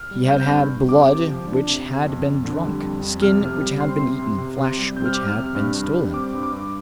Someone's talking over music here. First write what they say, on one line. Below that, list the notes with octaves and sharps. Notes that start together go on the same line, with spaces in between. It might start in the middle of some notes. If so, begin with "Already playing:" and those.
He had had blood which had been drunk, skin which had been eaten, flesh which had been stolen.
Already playing: F6
G3
C4 G6
G2
G2
C3 D6
C3
F3
D4
C3
C3
F2
F2
D3
G3
F2
F2
C3 F6
C3
G3
C4 C6
C3
C3
C3
C3
G3
C4 G6
F6
C3 D6
F6
C3
G2
G2
G3
C4 D6
G2
D6
G2